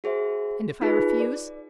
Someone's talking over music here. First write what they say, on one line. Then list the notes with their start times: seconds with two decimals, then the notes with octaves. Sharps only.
"And if I refuse?"
0.04 F#4 G#4 C5 E5
0.81 D#4 F4 G#4 B4
1.20 D5